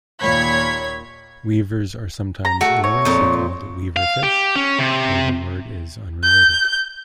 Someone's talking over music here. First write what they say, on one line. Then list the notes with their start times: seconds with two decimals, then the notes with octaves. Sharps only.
Weevers are sometimes erroneously called 'weaver fish', although the word is unrelated.
0.21 D#2 A#2 C#5 B5 G#6 B6
2.45 A#5
2.61 A3 F#4
2.84 C#5
3.05 F2 A#2
3.97 F5
4.23 G4
4.56 C#4
4.79 C3
6.23 G6